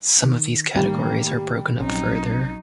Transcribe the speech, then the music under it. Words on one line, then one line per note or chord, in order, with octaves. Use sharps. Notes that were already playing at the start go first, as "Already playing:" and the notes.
Some of these categories are broken up further.
D#3
A2 D#3 G3 A#3
A#1 F#3 C4 C#4 D#4